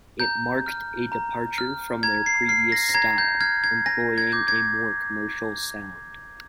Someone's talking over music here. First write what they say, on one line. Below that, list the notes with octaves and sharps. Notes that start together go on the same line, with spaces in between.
It marked a departure from their previous style, employing a more commercial sound.
A#5 G6
F6
A#5
F6
A#5 G#6
C7
F6 C7
A#6
A#6
A#5 G#6
G6
F6 G#6
G#6
G#5 A#6
G#6
D6 G6
G#6